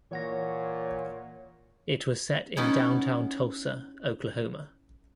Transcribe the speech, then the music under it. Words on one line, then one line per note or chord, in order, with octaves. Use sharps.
It was set in downtown Tulsa, Oklahoma.
A#2 E3 C#5 F#5 A#6
B3 C#4 D#4 E4